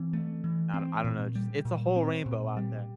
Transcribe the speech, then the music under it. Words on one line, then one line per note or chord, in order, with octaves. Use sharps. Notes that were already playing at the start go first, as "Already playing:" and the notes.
I do I don't know. It's just it's a whole rainbow out there,
Already playing: E3 C4
A3
E3
C4
A#2
G3
A#2
C4
A#2
G3